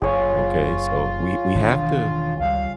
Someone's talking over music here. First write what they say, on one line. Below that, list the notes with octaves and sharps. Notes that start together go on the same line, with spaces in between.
Okay? So we we have to,
F#1 F4 G#4 C#5
E1 D#3 D4
C#2 F3 G3 F5